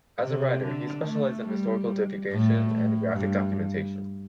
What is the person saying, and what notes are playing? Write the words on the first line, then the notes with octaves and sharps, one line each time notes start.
As a writer, he specialized in historical divulgation and graphic documentation.
C3
D3
A3
G3
A2
A2
G2